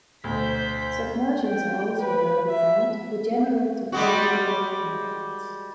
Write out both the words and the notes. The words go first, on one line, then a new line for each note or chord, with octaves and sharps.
Submersions are also well defined for general topological manifolds.
D2 B2 C5 G6 B6
G5
B4
E5
G3 G#3 F#4